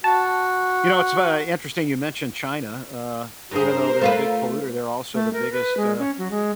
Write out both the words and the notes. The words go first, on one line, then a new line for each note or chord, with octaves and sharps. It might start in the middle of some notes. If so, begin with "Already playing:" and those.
you know, it's fu uh, interesting you mentioned China, uh, even though they're a big polluter, they're also the biggest, uh
F#4 A5
G2 G#4 A#4 C5
A3 F4 B4
A3
A#4
B4
G#3
C#4
F#3
G#3